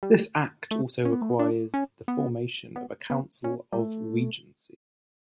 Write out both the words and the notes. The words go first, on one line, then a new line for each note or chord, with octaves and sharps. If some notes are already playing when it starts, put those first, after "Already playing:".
This Act also required the formation of a Council of Regency.
G3
A3
C#4
B3
A3
B3
D4
C#4
B3
B3
B3
C#4
G3
A3